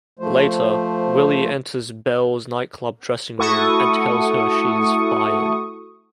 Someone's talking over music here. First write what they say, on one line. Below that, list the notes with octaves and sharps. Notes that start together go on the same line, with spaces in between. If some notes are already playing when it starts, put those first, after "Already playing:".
Later, Willie enters Belle's nightclub dressing room and tells her she is fired.
F3 A3 C5
A3 E4 F#4 A4 C#6 D#6